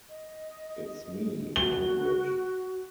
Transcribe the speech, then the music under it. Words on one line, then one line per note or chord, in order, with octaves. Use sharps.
It's Me, Margaret.
D#5
F#4 G7